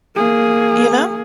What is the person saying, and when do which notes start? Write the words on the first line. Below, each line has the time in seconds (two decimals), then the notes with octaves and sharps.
you know?
0.16 A#3 G#4